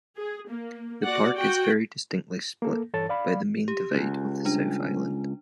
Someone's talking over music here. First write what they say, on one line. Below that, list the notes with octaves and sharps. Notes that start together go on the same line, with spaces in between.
The park is very distinctly split by the main divide of the South Island.
G#4
A#3
F#4 D5 F#5
F#4 G5
A#3 A4
G2 E3 A4 C#5 A5 A6
D5 F5 B5
G4
C#2
G3 D4